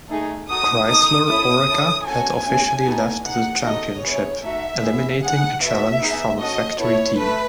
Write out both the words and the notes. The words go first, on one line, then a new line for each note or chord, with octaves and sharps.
Chrysler-Oreca had officially left the championship, eliminating a challenge from a factory team.
A3 D#4 G#4
D#4 F#4 A4 D#6
D#4 A4 D#6
C#4 E4 A4 D#6
C#4 E4 A4
C#4 F#4 A4 G#5
A3 C#4 G#4
B3 D#4 F#4 A4
D#4 G#4 F#5
D#4 F#4 A4 D#5
B3 E4 G#4 C#5
A3 D#4 F#4 E5
B3 E4 G#4
D#4 G#4 F#5
B3 F#4 A4 E5
B3 D#4 G#4
C#4 F#4 A4 D#5
B3 E4 A4 C#5
A3 B4